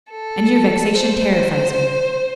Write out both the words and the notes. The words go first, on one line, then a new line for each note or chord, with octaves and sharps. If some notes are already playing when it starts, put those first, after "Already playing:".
And your vexation terrifies you.
A4
C5